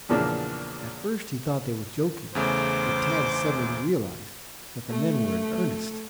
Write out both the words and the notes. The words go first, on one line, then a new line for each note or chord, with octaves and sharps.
At first he thought they were joking, but Tad suddenly realized that the men were in earnest.
E2 A#2 C#3 F3 A#3 D4
E2 C#3 A3 C5 D6
A3